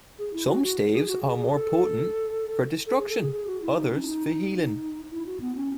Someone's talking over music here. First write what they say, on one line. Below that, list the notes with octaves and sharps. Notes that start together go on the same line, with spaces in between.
Some staves are more potent for destruction; others, for healing.
G#4
E4
F#4
F#4
G#4
F#4
G#4
G#4
A4
A4
G#4
A4
G#4
G#4
F#4
E4
D#4
C#4
E4
D#4
E4
F#4
B3
C#4